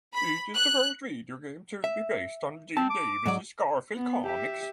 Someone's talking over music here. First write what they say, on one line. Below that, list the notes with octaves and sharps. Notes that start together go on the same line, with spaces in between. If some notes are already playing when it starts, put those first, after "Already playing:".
It is the first video game to be based on Jim Davis' "Garfield" Comics.
B5
F#6
E5
C4 A5
D6
G#2 F#3 D5
B3
G4 E5